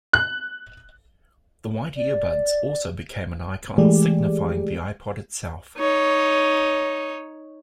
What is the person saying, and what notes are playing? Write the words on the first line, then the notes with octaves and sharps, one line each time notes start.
The white earbuds also became an icon signifying the iPod itself.
F#6
D5
E3 G#3 A3 G4 G#4 D5
D#4 C#5